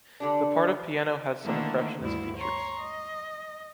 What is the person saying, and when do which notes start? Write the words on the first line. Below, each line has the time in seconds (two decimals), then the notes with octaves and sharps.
The part of piano has some impressionist features.
0.20 D3 G3 D4
1.43 D3 D#3 A3 A#3 D4 E4
2.01 D2 G2 E4
2.37 C#5 A#5 C6 C#6
2.80 D#5